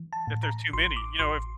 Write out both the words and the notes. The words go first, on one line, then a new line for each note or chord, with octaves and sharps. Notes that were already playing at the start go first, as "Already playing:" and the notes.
if there's too many. You know, if
Already playing: E3
A5
A2
A#5
A1 C6
D6
A1 C6